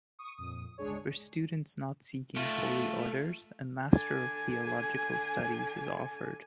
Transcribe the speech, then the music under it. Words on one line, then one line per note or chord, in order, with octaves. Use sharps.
For students not seeking Holy Orders, a Master of Theological Studies is offered.
C#6 D#6
F2 A#2 D#6
G1 C#2 G#3 D4 G#4 C#5
A3 F4
D3 G#5